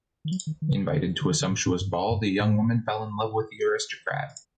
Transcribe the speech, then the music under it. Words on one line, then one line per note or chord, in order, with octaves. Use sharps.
Invited to a sumptuous ball, the young woman fell in love with the aristocrat.
D#3
F#3
D#3
D#3
D3
D3
D#3
D3
A2
A2
G2
G2
A2